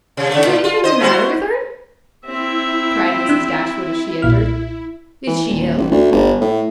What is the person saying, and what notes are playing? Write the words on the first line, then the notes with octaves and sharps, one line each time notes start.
"Is anything the matter with her?" cried Mrs. Dashwood as she entered--"is she ill?"
C3
C#3 A3
A#2
F4
C5 D#5
E4 F#4 C5
C4 E4 E5
D4 F#6
B1 A#2 F6
E3
D#1
A1
D2
G1
A2